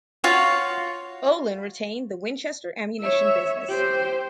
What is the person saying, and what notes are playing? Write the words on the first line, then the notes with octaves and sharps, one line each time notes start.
Olin retained the Winchester ammunition business.
F4 F#4 C#5 F5
C#5 E5
G4 C5